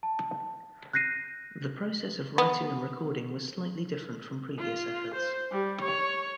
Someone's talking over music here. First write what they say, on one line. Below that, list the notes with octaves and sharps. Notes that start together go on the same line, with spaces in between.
The process of writing and recording was slightly different from previous efforts.
A5
F#6 G6 A#6 C7 D#7
B3
F4
C5
G3
C#5